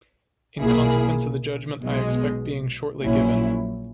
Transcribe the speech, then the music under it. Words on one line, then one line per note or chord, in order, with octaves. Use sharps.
In consequence of the judgment I expect being shortly given.
B1 A#2 A#3 E4 G#4
B1 B2 G#3
A#1 A#2 F#3 C#4 E4